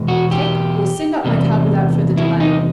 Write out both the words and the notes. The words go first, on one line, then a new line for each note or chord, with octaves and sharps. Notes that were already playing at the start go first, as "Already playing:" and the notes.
Take or send up my card without further delay.
Already playing: E2 B2 G#3
F#4
G4
E2 C3 G3
E4
D#4